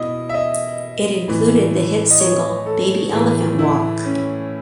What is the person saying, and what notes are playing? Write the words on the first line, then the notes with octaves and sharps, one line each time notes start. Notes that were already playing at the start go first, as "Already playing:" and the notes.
It included the hit single "Baby Elephant Walk".
Already playing: B2 E4 D#5
E5
D#5
A2 E3
D#5
C#5
A4
A2 E3 G#4
E4
C#4